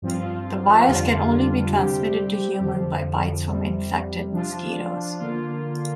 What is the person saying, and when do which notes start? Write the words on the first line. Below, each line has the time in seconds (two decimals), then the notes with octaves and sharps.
The virus can only be transmitted to humans by bites from infected mosquitoes.
0.02 G2 F3 C4 F4
0.88 F2 D3 G3 D4 F4
1.74 C3 G3 C4 G4
2.60 F2 D3 F3
3.48 F2 C3 G3
4.33 F3 D4 F4
5.19 D3 A#3 F4